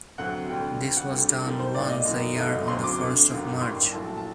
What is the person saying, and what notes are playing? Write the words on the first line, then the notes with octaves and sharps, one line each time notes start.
This was done once a year on the first of March.
D2 C3 F#3 A3 F#5
D2 D3 G3 G5
D2 C3 G3 G5
F#5
D2 D3 G3 A4
G4
F#2 D#3 G3 A4
C5
C2 A#2 A3 D5
D#5
F#2 D#3 A3
G1 F#2 F#3 A3 D#5
D2 C3 F#3 C6
D6
D2 D3 A3
G1 F#2 D#3
A1 G2 D#3 G3 C6
C6
A#1 A2 F#3 A3 A5
A5